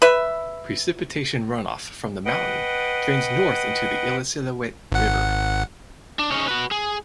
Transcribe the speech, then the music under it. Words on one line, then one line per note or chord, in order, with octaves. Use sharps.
Precipitation runoff from the mountain drains north into the Illecillewaet River.
B4 E5
B4 D#5 F#5 G5
G#1 F#5
D4
C#4 D#4 G#4 C#5
F#4 B4
G#4